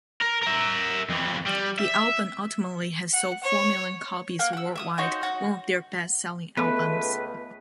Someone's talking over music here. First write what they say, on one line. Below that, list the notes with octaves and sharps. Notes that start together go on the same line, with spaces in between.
The album ultimately has sold four million copies worldwide, one of their best-selling albums.
A#4
A#4 E5
F2 E3
G3
E5
F#5
C#5
A#3 F#5
F#5 E6
E5 D6 D#6
D#4 F#4 C5 C#5
F#4
C#2 A3 B3 B4